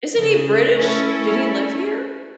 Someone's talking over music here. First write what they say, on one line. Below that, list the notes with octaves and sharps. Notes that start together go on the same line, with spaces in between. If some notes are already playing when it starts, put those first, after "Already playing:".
Isn't he British? Did he live here?
C#3
A3 C#4 E4 A4